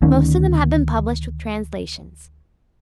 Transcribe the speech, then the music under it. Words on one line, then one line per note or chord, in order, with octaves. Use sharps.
Most of them have been published with translations.
D2 D#3 C#4